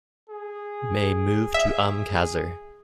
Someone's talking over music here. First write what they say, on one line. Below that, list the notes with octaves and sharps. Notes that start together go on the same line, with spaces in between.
May move to Umm Qasr.
G#4
E5